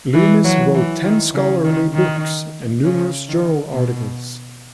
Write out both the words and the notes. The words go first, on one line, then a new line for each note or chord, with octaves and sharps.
Loomis wrote ten scholarly books and numerous journal articles.
E3
F#3
E3
D#3
C#3
D#3
D#3
C#3
D#3
B2